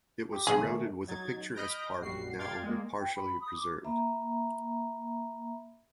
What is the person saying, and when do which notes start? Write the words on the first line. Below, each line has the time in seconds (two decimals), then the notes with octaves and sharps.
It was surrounded with a picturesque park, now only partially preserved.
0.32 G4
0.47 B1 C#3 G#4
0.62 D#3 A3
1.07 F#3 D#4 G#6 A6
1.54 D#5 B5 F6 G6 A#6 D7
2.01 A#1 F#2 G3 F#4 C7
2.38 D5 F5 G5 C6 G#6 A6
2.62 G#3 A#3
3.00 G5
3.16 B5
3.41 D#6
3.56 D6
3.84 A#3 E5 A#5 B5